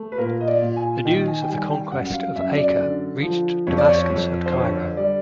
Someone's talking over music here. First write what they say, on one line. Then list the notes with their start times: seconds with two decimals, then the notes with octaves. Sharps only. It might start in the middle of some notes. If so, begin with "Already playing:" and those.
The news of the conquest of Acre reached Damascus and Cairo.
Already playing: A3
0.12 B4
0.18 A#2 A#4
0.41 D#5
0.48 D5
0.62 A#2
0.76 G#5
1.05 D#3 G5
1.27 G#5
1.42 G5
1.48 G3 G#5
1.70 G5
1.92 F#2 F#5
2.13 F5
2.35 F#2 E5
2.57 D5
2.79 D3
3.22 F3
3.67 F2 C#5
3.78 D5
3.89 C#5
4.10 F2
4.46 C5
4.53 D3 C#5
4.97 G3 D5